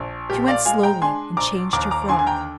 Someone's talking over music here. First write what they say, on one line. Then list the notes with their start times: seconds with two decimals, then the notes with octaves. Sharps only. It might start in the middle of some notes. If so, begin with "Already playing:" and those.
She went slowly and changed her frock.
Already playing: A#1
0.30 A#2 G4
0.48 D5 F5
0.65 G#3 F5 G#5
0.83 G5 A#5
1.02 D4 G#5 C6
1.37 A#1 A#5 D6
1.73 D#2 A#5 D6
1.91 A#5 D6
2.09 D3 G#5 C6
2.19 G#5
2.27 G5 A#5